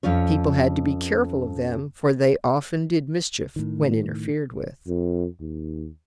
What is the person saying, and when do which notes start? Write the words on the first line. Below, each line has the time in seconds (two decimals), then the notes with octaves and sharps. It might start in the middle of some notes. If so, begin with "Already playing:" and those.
People had to be careful of them, for they often did mischief when interfered with.
0.03 F2 C#4 F4 C#5
3.56 A2 D#3
4.87 F2
5.40 D#2